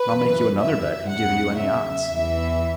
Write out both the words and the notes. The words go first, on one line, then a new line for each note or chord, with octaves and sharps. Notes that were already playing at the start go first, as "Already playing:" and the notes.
"And I'll make you another bet, and give you any odds."
Already playing: B4
F#2 E3
E5
E2 C#3 F#3 F#5
E5
E2 E3